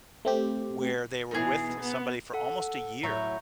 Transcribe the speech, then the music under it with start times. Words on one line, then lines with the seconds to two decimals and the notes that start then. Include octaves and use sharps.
where they were with somebody for almost a year,
0.25 A3 C4 G4
1.31 B2 E3 D#4 G#4
1.80 B3
2.34 A4 F#5
3.03 A2 F#3 E4 A#5 C#6 G6